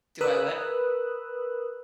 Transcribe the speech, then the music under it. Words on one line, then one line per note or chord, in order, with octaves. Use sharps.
Do I what?
A#4 B4 B5 D#6 E6 F#6